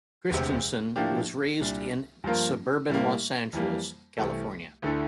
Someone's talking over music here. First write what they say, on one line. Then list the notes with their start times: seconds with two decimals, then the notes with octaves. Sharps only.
Christensen was raised in suburban Los Angeles, California.
0.31 E1 D2 C3
0.96 A2 F3 A#3 D4 G4
1.60 C2 A#2 G3 D4
2.24 G2 F3 A#3 F4 A#4
2.90 A2 G3 A#3
3.53 F2 E3 G3 A#3
4.18 C2 C3 E3 A3
4.82 D2 D3 A3 E4 A4